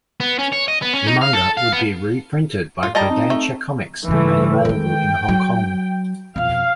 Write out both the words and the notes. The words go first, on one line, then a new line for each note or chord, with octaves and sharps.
The manga would be reprinted by Kodansha comics, and made available in Hong Kong.
B3
C#4
C#5
D#5
B3
C#4
D#4
F5
A4
F5
B3
A2 F4
G3 D#5 G5 A5 A#5
C4 D#4
A3
G2 C#3 E3 A3
D#3 G#3 G5
F#3
F2 B2 F5